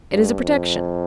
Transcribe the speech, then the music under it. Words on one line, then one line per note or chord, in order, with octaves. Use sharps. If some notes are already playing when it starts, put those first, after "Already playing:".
It is a protection.
G2
F2